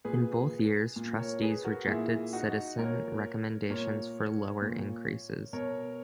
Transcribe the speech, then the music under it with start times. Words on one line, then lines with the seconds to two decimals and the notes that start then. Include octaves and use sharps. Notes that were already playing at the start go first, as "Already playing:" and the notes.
In both years trustees rejected citizen recommendations for lower increases.
0.05 A#2 G#4 B4
0.96 A#2
1.19 A#4 C#5
1.42 G#4 B4
1.64 F#4 A#4
1.87 A#2 E4 G#4
2.33 D#4 F#4
2.79 A#2 A#4 C#5
3.70 A#2 A#4 C#5
4.62 A#2
5.53 B2 A#4 C#5